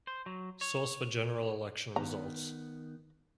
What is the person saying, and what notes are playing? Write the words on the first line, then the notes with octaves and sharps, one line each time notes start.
Source for General election results.
C5
F#3
C#5
D#3 B3 A#5